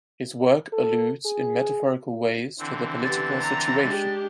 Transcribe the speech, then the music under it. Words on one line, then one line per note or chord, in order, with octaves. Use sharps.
His work alludes in metaphorical ways to the political situation.
A4
G#4
D3 E3 C4
B3 G4 A6
A#5
G#3 D4 G4